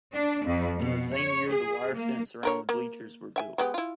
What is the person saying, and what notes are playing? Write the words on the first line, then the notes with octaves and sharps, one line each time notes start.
In the same year the wire fence around the bleachers were built.
D4
F2
B2
C#5
G#4
A#3
D3 A#4 C#5
A#3
E5 G5 G#5
G#3 B3 G4
E4 F4